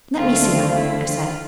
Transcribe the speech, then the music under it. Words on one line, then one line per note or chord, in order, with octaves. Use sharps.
"Let me see him!" I said.
D2 D3 A3 C4 F4
E4
F4